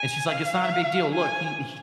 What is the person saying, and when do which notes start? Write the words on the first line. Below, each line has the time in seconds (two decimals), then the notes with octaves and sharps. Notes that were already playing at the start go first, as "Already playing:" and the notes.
And she's, like, "It's not a big deal. Look. He he
Already playing: G#5
0.32 F5
1.13 G#5